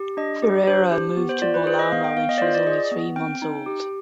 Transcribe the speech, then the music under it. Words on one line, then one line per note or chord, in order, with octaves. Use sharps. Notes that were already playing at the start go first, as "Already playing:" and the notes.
Ferreira moved to Bolama when she was only three months old.
Already playing: G4
D4 D#5
G4
D4 C5
G4
B3
C5
F4 D5
B4
G#4 C5
D#5
B3 F5
G5
B3 F5
D#5
D5
F4 C5
D5
G#4 D#5
B3
C4 G5
D#4
G4